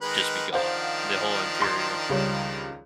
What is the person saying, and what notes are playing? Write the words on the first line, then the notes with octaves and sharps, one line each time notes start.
just be gone, the whole interior.
D#3 G#3 B4
D#3 F3 D4 C5 F5 F#5
C6
C#2 G3 C#5